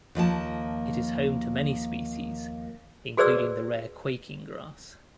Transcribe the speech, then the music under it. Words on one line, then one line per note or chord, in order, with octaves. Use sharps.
It is home to many species, including the rare quaking grass.
D#2 F3 A#3 A5
F#4 G#4 B4 C5 D5 E6